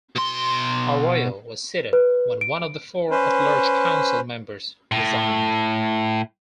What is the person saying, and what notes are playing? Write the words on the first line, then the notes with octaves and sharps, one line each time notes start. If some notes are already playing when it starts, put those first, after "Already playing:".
Arroyo was seated when one of the four at-large council members resigned.
B2 C6
B4
D7
C#4 B4 C5
A2